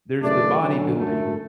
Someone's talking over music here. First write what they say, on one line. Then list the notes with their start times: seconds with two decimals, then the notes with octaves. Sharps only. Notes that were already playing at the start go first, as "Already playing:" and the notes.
there's the bodybuilding
0.22 F#2 C#3 E3 A3 D4 D5
0.60 D3 F#3 C#4
0.97 F#2 D3 F#3 A3